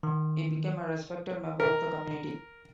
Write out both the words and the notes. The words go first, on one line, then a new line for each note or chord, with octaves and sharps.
He became a respected member of the community.
D#3
A#4